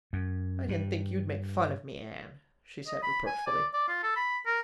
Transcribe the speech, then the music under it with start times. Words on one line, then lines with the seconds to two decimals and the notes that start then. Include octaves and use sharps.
"I didn't think you'd make fun of me, Anne," she said reproachfully.
0.13 F#2
0.69 G2
2.87 D#5
3.03 B5
3.27 G#5
3.47 D5
3.74 D5
3.88 F4
4.03 A4
4.17 B5
4.47 A#4